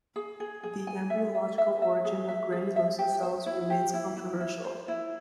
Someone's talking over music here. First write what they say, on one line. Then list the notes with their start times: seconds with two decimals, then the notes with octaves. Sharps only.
The embryological origin of granulosa cells remains controversial.
0.16 G#4
0.40 G#4
0.63 G#4
0.87 G#5
1.10 E5
1.35 E5
1.58 E5
1.82 E5
2.05 G#4
2.28 E5
2.52 G#4
2.76 E5
2.99 G4
3.23 C5
3.46 E4
3.70 G4
3.93 E4
4.16 E4
4.40 E4
4.64 C5
4.88 E4